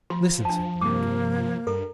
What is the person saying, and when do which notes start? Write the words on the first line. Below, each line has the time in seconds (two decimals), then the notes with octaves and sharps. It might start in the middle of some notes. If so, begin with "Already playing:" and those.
"Listen," said the monkey.
0.10 F3 F4 C6
0.45 D4 A5
0.81 G2 C3 A#3 D6
1.67 G2 A4 A#4